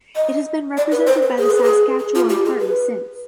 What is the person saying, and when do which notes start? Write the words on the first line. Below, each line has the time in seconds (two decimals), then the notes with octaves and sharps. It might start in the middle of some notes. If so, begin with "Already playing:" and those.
It has been represented by the Saskatchewan Party since.
0.16 D#5
0.77 D5
0.92 B4
1.07 C5
1.22 B4
1.38 G#4
1.51 B4
1.64 G#4
1.99 G#4
2.15 F4
2.30 G4
2.45 G#4
2.60 B4